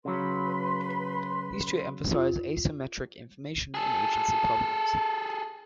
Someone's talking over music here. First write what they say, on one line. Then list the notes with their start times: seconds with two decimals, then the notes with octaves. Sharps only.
These two emphasize asymmetric information and agency problems.
0.05 C#3 F#3 B4 B5 C6
2.12 F2 F4
3.74 G#4 A4